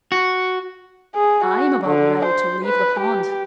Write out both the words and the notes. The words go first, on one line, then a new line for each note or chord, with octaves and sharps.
I'm about ready to leave the pond.
F#4
G#4
F#4
D3
C5
B4
G4